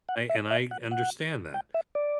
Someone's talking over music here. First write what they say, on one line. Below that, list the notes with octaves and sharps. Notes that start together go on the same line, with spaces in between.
I and I understand that.
F#5
E5
E5
F#5
F#5
G5
E5
D5